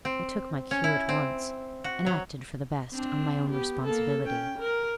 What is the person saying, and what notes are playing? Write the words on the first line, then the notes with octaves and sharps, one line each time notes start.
I took my cue at once, and acted for the best on my own responsibility.
C4
C#4
E4
C4
F#4
F#3
C4 D4
B3 G4
A#3 A4
C#4 G5
A#4